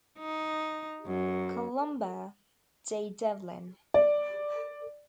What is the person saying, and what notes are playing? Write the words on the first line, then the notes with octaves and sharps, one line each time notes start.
Columba J. Devlin.
D#4
F#2
D5